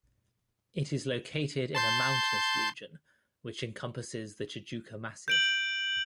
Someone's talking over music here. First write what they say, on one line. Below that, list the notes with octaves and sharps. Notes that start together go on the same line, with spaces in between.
It is located in a mountainous region, which encompasses the Tijuca Massif.
A5 C6 G6
G6 D7 F#7